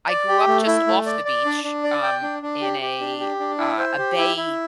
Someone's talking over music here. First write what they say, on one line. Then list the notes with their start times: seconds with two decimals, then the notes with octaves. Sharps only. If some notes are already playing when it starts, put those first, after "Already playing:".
I grew up just off the beach, um, in a, uh, a bay
0.08 D5
0.28 G4
0.47 A3
0.67 E4
0.87 A3
1.06 D5
1.25 D5
1.45 D4
1.64 D4
1.84 D5
2.03 G5
2.23 D4
2.42 D4
2.61 G4
2.81 G4
3.01 D4
3.20 G4
3.40 D4
3.59 E4
3.78 C5
3.98 G4
4.18 E4
4.37 E4